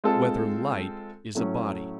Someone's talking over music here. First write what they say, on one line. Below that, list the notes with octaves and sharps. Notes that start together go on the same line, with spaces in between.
Whether Light Is a Body?
G#3 C4 F4 A4
A2 F#3 A3 C#4